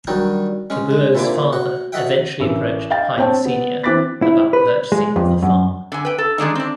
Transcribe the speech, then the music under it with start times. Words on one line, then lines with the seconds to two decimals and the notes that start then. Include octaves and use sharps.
Kabuo's father eventually approached Heine Senior about purchasing of the farm.
0.07 D#3 F#3 G3 D4 D#4
0.70 G#3 C#4
0.91 G#3
1.15 A#2 D3 E4 C5 G#5 D6
1.53 F#4
1.92 F#4 A4 D#5 E5 F#5 G5
2.40 A1 A#4 E6
2.90 D#5 F5 G5 A6
3.18 C4 C#5 G5 A5
3.45 B3
3.84 E3 C4 D6 F#6 A6 B6
4.22 E4
4.53 B4
4.92 G#3
5.16 F2
5.43 F#2
5.92 D3 G#5
6.05 B4 G5
6.18 A4
6.38 D#3 G#3 D4 D#4
6.55 C4 D4